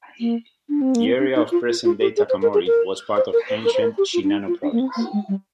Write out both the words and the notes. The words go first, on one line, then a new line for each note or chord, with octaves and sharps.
The area of present-day Takamori was part of ancient Shinano Province.
A#3
D4
C4
A#3
C4
D4
D#4
F4
F4
F4
G4
G#4
C5
A#4
G#4
A#4
C5
A#4
C5
A#4
C5
A#4
G4
F4
D4
D#4
F4
D4
A#3
C4
A#3
G#3
G3